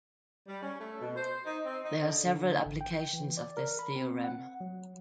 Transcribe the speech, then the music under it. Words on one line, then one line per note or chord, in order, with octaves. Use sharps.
There are several applications of this theorem.
G3
C#4
A3
B2
C5
D#4
C4
D#4
D3
D3
G#1
G5
E3
D5
A#4
B5
C4
F#5
F#3